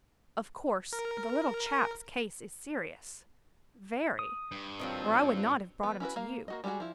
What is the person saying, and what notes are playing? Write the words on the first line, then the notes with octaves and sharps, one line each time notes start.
"Of course the little chap's case is serious--very--or I would not have brought him to you."
A#4
D#6
G2
D#3 F3 F#3 C4
F3 B3
C#4 E4 F#4 B4
A#3 F5
A#3 F#4 D#5
G3 G#3 C#4 F#4 G#4
F3 E4